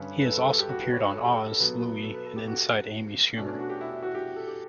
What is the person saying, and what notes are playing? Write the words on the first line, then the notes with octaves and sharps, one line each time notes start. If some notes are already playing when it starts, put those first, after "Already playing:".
He has also appeared on "Oz", "Louie" and "Inside Amy Schumer".
Already playing: G2 D3 G3 C#4 B4
B4
A4
A4
G4
G4
F#4
B4
C#5
C#5
A4
G4
A4
B2 F#3 B3
A4
B4
A4
G4
F#4
B2 A3 C#4 D4
D4
F#4
G4
E4
E4
F#4
G4
A4
G4